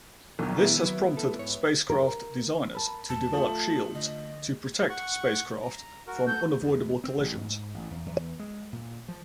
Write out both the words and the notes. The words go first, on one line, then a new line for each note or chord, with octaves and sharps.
This has prompted spacecraft designers to develop shields to protect spacecraft from unavoidable collisions.
A#1 D#2 B2 F#3
B2 E3 B3 E4
D#2 F#3
A4
G#2 C#5
A#4
A#4 A5 B5
E2 A5
F3 A3 D#6
D3 D#5
F#5 C#6
A#5
F#4 A#4
F#4 A4 G6
E2
C4
A1
G#2
A1
E2
E2
G#3
A#2
F3